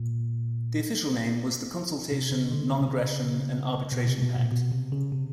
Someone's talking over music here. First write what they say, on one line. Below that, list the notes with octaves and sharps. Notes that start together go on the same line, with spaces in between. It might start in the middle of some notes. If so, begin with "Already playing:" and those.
The official name was the Consultation, Non-Aggression and Arbitration Pact.
Already playing: A#2
C3
C#3
D3
C#3
C3
C#3
B2
C3
B2
A#2
B2
C3
C#3
C3